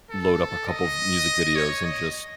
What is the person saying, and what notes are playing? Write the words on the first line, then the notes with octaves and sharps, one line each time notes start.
load up a couple of music videos and just
A4
D#5
C#5
D#5